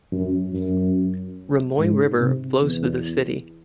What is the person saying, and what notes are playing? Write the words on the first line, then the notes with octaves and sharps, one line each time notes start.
Rumoi River flows through the city.
F#2
F#2
G#2
C3
E2